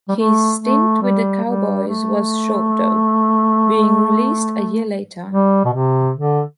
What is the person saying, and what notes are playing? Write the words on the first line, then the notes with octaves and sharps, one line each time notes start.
His stint with the Cowboys was short though, being released a year later.
G3
A3
A3
G3
G3
A3
G3
B2
C3
D3